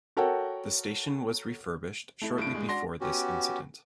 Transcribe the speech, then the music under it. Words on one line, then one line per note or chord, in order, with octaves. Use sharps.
The station was refurbished shortly before this incident.
F#4 A4 A#4 C#5 F#5 G5
A3 E4
G2 D7
G#3
D4 F#4 C6 A#6
B3 C#4 F#4 G4